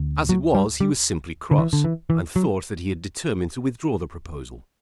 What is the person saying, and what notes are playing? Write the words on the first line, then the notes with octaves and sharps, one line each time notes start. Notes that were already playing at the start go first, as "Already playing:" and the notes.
As it was he was simply cross, and thought that he had determined to withdraw the proposal.
Already playing: D2 D3
F#3
G3
G3
D3
E3
D3
E3
E3
F#3